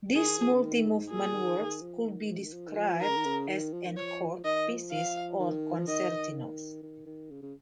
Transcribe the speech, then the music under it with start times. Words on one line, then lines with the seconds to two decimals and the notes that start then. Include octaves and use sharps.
These multi movement works could be described as encore pieces or concertinos.
0.15 D#3 G#4
0.39 F3
0.54 C#3
0.63 D#3
0.87 G#2
1.11 A#2 G#4
1.34 D#3
1.58 D#3
1.82 F3
2.06 D#3
2.29 F3
2.39 C#3
2.46 D#3
2.53 F3
2.69 D#3
2.78 F3
3.01 D#3 A#4
3.09 C#3
3.17 D#3
3.26 C#3
3.49 D#3
3.73 F3
3.85 D#3
3.97 F3 C#5
4.44 D#3 D#5
4.68 F3
4.92 F5
5.39 D#3
5.78 F3
5.87 D#3 D#5
6.11 D#3
6.83 D#3
7.06 D#3
7.31 C#3
7.43 C#3